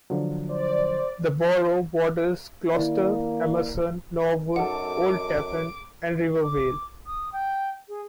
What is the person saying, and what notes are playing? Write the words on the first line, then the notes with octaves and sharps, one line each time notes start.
The borough borders Closter, Emerson, Norwood, Old Tappan and River Vale.
D3 F3 F#3
C5 D5
D#3 A#3 E4 D5
F#2 D#4 F#4 A4 F#5 D6
D6
D#6
G5
G#4